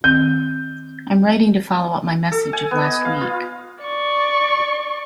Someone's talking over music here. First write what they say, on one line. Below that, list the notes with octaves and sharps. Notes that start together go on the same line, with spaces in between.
I'm writing to follow up my message of last week.
D#3 C4 G6
A4
G#5
B3
D#5
F5
F4
D5 C#6